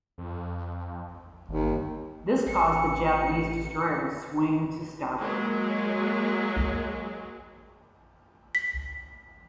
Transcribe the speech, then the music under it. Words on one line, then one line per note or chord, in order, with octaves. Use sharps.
This caused the Japanese destroyer to swing to starboard.
F2
G1 D#2
A1 C#7
F#3 G#3 A#3 G#4
B6